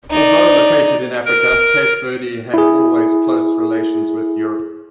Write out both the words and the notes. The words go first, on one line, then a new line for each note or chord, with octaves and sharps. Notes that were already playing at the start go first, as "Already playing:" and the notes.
Although located in Africa, Cape Verde had always close relations with Europe.
D#4 D5
A#4
E4 G#4